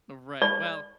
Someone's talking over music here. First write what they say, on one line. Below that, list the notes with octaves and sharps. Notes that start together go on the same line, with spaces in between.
Right, well
D5